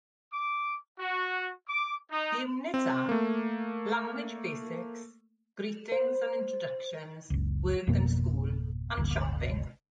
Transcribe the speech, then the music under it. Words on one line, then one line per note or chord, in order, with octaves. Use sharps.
The units are: Language Basics, Greetings and Introductions, Work and School, and Shopping.
D6
F#4
D6
D#4
C4
A3 A#3
C5
F#1 C#2
G#1 F2 B2 A#3
D1 G1